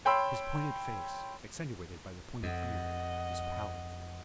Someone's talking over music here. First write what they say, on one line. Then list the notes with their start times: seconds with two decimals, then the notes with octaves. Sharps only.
His pointed face, accentuated by the pointed beard, was pallid.
0.05 C#5 G5 B5 C6 E6
2.43 F2 D#5 F#5